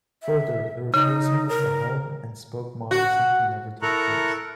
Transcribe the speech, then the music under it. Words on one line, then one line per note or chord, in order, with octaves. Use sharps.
Further, the replacement of the hub-and-spoke model simply never took place.
E5
C#3 D#4
A#4
F#4
E4 A4 A#4 A#5 C#6 F#6